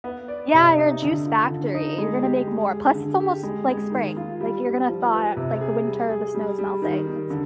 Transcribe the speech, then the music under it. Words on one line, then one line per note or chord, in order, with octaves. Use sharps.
Yeah, you're a juice factory. You're gonna make more. Plus it's almost, like, spring. Like you're gonna thaw, like, the winter, the snow is melting. It's
B3
D5
C3
D#4
D3
F4
D3
D#4
G#3
G4
G#3
G#4
D3
G4
G#3
G#3
D#3
F4
G3
G3
F3
B4
C3
G#4
G3
G#4
G3
G3
D#3
D#3
D3